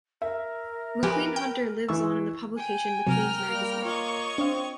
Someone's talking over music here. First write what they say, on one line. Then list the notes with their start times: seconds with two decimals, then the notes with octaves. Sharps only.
Maclean-Hunter lives on in the publication "Maclean's" magazine.
0.22 A#4 E5
1.03 F3 B3 G4 B4 G#5
1.36 G5
1.88 E3 C#6 E6
2.57 G5 G#5
3.07 C3 F#3 A#4 G5 F6
3.49 G3 A#3
3.85 F4 C#5 D#5 C#6
4.38 C4 D4 F5